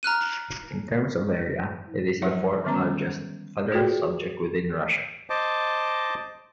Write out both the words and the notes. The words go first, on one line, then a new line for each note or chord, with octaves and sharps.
In terms of area, it is the fourth-largest federal subject within Russia.
A#5 F6 F#6 D#7
F3 F#3 E4 C#5 E5 F#5
D3 D#3 G3 B3 C#4 A#5
F4 F#4 G#4 B4 D5 G5
C5 D#5 A5 D6